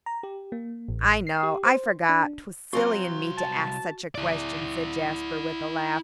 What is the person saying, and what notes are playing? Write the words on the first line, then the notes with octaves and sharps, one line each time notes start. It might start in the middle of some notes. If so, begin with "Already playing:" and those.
"I know--I forgot--'twas silly in me to ask such a question," said Jasper, with a laugh.
A#5
G4
A#3
A1
C7
G4
C5
D4
C2 F#3 C4 F4 F#4 C6
A5
E4 D5